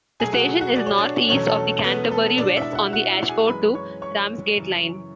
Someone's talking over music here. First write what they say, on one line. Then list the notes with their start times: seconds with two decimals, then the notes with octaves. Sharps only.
The station is north east of Canterbury West on the Ashford to Ramsgate Line.
0.20 B2 F#3 A3 G#4 G#5
0.33 F#4 F#5
0.61 F#4 F#5
0.76 D5
0.86 C#5
0.98 D4 D5
1.29 E2 B2 F#3 A3 C#4 C#5
1.47 A4
1.84 B3 B4
2.11 A4
2.38 B2 G#3 D4 D5
2.57 E4 E5
2.75 F#4 F#5
2.93 F#4 F#5
3.11 E4 E5
3.29 G#4 G#5
3.47 F#2 E3 G#3 B4 B5
3.75 C#5 C#6
4.02 C#5 C#6
4.57 F#2 C#3 E3